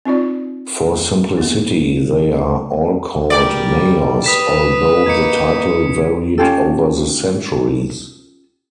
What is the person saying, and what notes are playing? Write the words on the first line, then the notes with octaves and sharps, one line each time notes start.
For simplicity they are all called mayors, although the title varied over the centuries.
C4 D#4 F4 D5
A#3 B3
G3 G4 A#4 D5
B4 D#6 B6 E7
A#3 D#4 G#6 C#7
C#4 F4 G4 A4